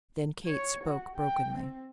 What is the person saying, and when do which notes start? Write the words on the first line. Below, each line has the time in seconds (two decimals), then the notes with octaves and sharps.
Then Kate spoke brokenly.
0.46 C#5
0.84 F#4
1.16 G5
1.56 C4